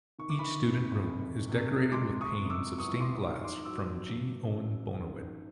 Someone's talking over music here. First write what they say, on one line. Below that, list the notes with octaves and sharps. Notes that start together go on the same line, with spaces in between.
Each student room is decorated with panes of stained glass from G. Owen Bonawit.
D#3 C#6
D6
B5 C#6
F2
F1
C3
G#3 C6 D6
C#6 D#6
C3
D6 E6
E2 C#6 D#6
C6 D6
D#3
C6 D6
F#3 D6 E6
G2
A1
D#3